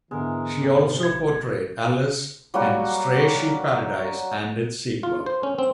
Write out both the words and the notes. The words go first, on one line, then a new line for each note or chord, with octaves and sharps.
She also portrayed Alice in "Stray Sheep Paradise" and its sequel.
G#2 D3 E3 G#3 B3 A#4 F5
C3 G4 G#5
A1 G#6
F#3 G3 A#3 F#4
F4
C5
C#4
C4